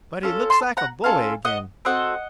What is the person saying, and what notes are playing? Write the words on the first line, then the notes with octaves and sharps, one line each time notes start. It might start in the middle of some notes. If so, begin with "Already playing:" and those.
But he looks like a boy again!
C#4 F4 A4
A5 C6
F#5 A#5
C#4 F4 A4 F5 A5
D#5 F#5
C4 F#4 A4 D#5 F#5